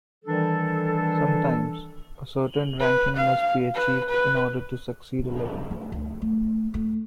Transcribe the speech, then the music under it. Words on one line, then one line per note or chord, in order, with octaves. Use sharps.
Sometimes, a certain ranking must be achieved in order to succeed a level.
D#3 E3 G3 D4 A4
B4
F5
B4
B4
A3
D2
A3
A3